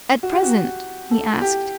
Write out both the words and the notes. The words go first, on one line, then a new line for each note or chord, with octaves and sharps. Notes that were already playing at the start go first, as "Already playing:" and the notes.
"At present?" he asked.
F#4
G4
F#4
A4
G4